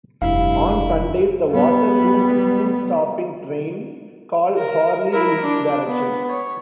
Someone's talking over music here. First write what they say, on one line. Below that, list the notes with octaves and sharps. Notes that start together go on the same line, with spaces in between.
On Sundays the Waterloo to Poole stopping trains call hourly in each direction.
F1 G2 E4 F5
G3 B3
A#4
E4 A#4
D4
B3
C#5